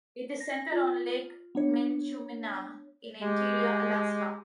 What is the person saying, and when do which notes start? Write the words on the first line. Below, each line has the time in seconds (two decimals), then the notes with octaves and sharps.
It is centered on Lake Minchumina in Interior Alaska.
0.40 A#6
0.72 F4
1.55 B3 D4 C#5
3.22 G#3 G4